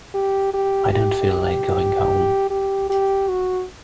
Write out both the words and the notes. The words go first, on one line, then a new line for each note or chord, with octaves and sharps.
I don't feel like going home.
G4
G4
G4
G4
G4
F#4